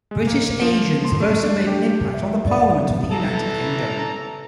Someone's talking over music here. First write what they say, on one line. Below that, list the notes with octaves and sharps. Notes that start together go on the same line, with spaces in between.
British Asians have also made an impact on the parliament of the United Kingdom.
G#3
A#3
F3
C6
A3
D4
G4
E5
D5
E3 A4 A#5